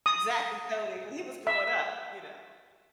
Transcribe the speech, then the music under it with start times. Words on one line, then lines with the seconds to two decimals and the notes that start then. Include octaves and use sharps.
Zack and Cody," when he was growing up, you know?
0.06 D#6
1.47 E5